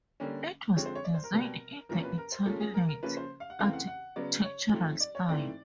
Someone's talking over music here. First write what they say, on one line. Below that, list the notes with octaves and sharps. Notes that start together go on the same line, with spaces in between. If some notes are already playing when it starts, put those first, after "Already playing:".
It was designed in the Italianate architectural style.
D3 G3 A#3 C#4
D3 F3 G#3 C4 C#5
C5
C#5
D5
C5
A#4
B2 G3 C4
E2 C3 F3 A#3 C#4 A#4
B4
A#4
C5
A#2 F3 G#3 C#4 A4
G#4
A#4
A#4
C#3 F3 A#3 C#4 B4
C5
F5
F#5
E2 C#3 E3 A3 C4 F5
F#5
F#5
C#3 F#3 B3 D5
C#5
G#2 F3 A3 C4
D5
C#5
G#2 E3 A3 C4 D5